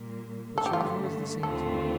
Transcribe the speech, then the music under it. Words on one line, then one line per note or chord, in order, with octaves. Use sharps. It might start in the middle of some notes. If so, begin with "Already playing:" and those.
But she was always the same to me.
Already playing: A#2 G3 A#3
G2 D3 A3 A4
G4
F4
G4
D#2 D3 A3 C4 F4 A4